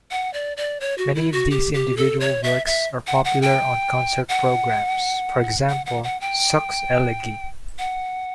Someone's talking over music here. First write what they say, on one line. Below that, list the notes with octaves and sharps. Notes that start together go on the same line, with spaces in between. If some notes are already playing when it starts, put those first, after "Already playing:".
Many of these individual works are popular on concert programs, for example Suk's Elegie.
F#5
D5
D5
C#5
F#4
E4
F#4
G4
G4
A4
C#5
E5
E5
F#5
F#5
G5
F#5
F#5
F#5
F#5
G5
F#5